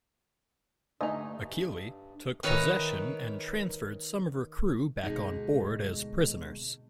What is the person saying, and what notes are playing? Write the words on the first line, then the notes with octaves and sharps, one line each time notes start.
"Achille" took possession, and transferred some of her crew back on board as prisoners.
G2 D3 A3 D#4 D#5 G#5
D#3 B4 C#5 E5 G#5 A#5
D2 B2 G#3 D#4